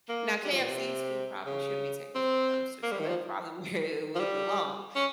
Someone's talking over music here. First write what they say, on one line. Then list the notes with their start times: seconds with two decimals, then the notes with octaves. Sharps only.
Now KFC's food probably should be taken to the dumpster, so that's probably where it would belong,
0.08 A#3
0.44 G3
0.51 F3
0.60 A#2
0.69 C3
1.46 C#3
2.15 C4
2.82 A#3
2.92 G3
2.99 D#3
3.08 F3
4.15 F3
4.19 G3
4.95 C#4